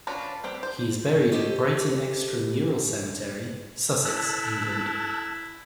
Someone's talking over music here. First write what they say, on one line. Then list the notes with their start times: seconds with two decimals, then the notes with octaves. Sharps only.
He is buried at Brighton Extra Mural Cemetery, Sussex, England.
0.07 C#4 D4 F4 F#4 B4
0.44 G3 C4 B4
0.63 C5
1.32 G4 A4 C5 C#5 D#5
4.05 E4 A4 A5 E6 F#6